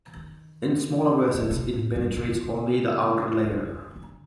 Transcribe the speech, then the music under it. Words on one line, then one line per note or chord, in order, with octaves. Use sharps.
In smaller vessels it penetrates only the outer layer.
D#3
D3
C#3
C3
A2
G2
C#3
D3
C#3
C3
C#3
D3
D3